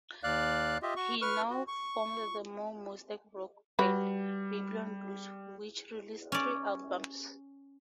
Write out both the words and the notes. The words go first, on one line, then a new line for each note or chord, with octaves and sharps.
He now formed the more modest rock band "Babylon Blues" which released three albums.
D#2 D5 F5 F#6
F4 G4 D#5 E5
F#4 C#6
B4 C#6 F6
F#4
C#6
G3 F#4 B4
C#4 D5